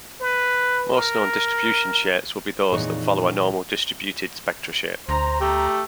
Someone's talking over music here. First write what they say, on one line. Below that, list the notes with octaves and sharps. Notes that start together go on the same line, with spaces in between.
Most known distribution shapes would be those that follow a normal distributed spectra shape.
B4
A#4
F2 A#2 E3 D#4 G#4 C#5
D2 C5 A#5
A3 G4